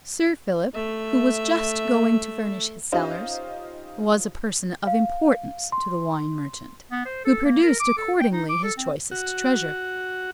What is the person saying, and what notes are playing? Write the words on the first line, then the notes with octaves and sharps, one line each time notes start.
Sir Philip, who was just going to furnish his cellars, was a person of importance to the wine-merchant, who produced accordingly his choicest treasures.
A3 E5
C#4 D#4 F4 G4 C5 D#5
F5
C6
B3
C5
A4
A#3
A#4
D6
A4
G5
D#4
D6
A4
C4
F#4